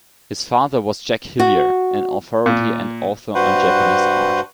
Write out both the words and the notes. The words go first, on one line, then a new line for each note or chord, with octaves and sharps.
His father was Jack Hillier, an authority and author on Japanese art.
F#4
A#2
G2 F#4 B4 C5 F#5